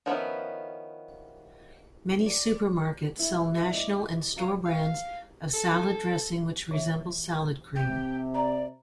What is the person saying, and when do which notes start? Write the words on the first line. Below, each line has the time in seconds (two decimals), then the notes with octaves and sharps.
Many supermarkets sell national and store brands of salad dressing which resemble salad cream.
0.06 D#3 F3 B3 C#4 E4
2.26 D5
3.19 E4
3.70 D5 D#5
4.36 C#5 F5 A#5
4.66 F5
5.54 A4
6.71 E3 E5
7.76 C3 G5
8.34 D5 A#5